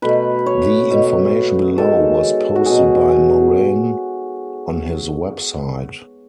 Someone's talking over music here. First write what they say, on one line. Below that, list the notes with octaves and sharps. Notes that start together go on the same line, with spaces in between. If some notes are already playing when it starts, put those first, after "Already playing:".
The information below was posted by Moran on his website.
B2 A3 B4
C#5
B2 A3
D#3 G#3 A4
F#4
B2 F#3 A3 G#4
G#4